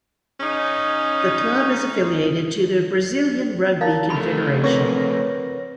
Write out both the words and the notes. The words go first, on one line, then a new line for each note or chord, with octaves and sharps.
The Club is affiliated to the Brazilian Rugby Confederation.
C#3 C#4 D#4
D#4 A#4 F5 A6
F2 A3 B5
C4 A#4 B4 C#5 A#6